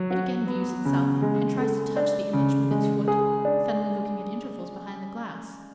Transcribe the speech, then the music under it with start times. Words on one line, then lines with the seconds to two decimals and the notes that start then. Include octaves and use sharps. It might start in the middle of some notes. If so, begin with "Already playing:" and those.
It again views itself, and tries to touch the image with its foot, suddenly looking at intervals behind the glass.
Already playing: F#3
0.10 F#4
0.47 B3
0.85 C#3
1.22 G#3
1.59 A4
1.96 D4
2.33 C#3
2.71 G#3
3.08 G#4
3.45 D4